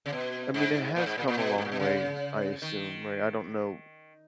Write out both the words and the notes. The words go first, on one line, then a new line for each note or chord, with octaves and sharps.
I mean, it has come a long way, I assume, right? I don't know
C#3
B2
G#2
A#2
G#2
A#2
A#2
B2
G#2
A#2
B2
C#3
D#3